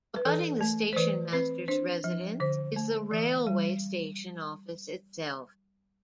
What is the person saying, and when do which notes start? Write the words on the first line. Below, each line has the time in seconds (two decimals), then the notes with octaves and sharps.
Abutting the station-masters residence is the railway station office itself.
0.16 B4
0.25 E3 A4
0.61 A3
0.93 C5
0.96 E3 B4
1.33 C4 B4
1.68 D4 C5
2.04 F3
2.40 D3 C5
2.76 A3
3.11 E3
3.47 G3